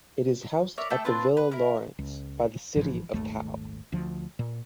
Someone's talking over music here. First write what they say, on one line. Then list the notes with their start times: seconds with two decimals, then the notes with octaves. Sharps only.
It is housed at the Villa Lawrance by the City of Pau.
0.78 A#4 C#5 D5 E5
0.90 A3 A4 E5 G5
1.04 C4 D4 F4 B4
1.37 B4
1.51 E4 A#4
1.99 C#2
2.75 A1 G#2 E3 F3
3.13 D#1 G#1 D#2 A3
3.92 D2 F3
4.39 A#2